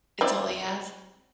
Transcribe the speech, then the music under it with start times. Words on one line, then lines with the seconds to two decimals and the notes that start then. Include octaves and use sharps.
It's all he has.
0.21 C4 E4 D5